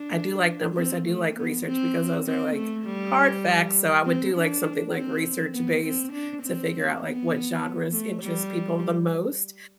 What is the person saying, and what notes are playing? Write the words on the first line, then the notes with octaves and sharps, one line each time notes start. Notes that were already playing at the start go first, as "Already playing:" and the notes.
I do like numbers, I do like research because those are, like, hard facts, so I would do, like, something, like, research-based to figure out, like, what genres interest people the most,
Already playing: D4
C4
A3
B3
C4
C4
A3
G3
C4
D4
C4
B3
C4
D4
C4
B3
A3
G3